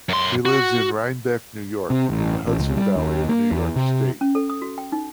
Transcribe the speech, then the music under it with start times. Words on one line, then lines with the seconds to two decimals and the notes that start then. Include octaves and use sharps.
He lives in Rhinebeck, New York, in the Hudson Valley of New York State.
0.09 F#2 C6
0.45 F#4
1.90 C3
2.10 A1
2.46 A1
2.59 C#2
2.76 G3
2.96 D#2
3.29 A#3
3.51 E2
3.76 C3
4.21 C#4
4.35 A4
4.50 D#6
4.62 F#4
4.78 G5
4.92 D#4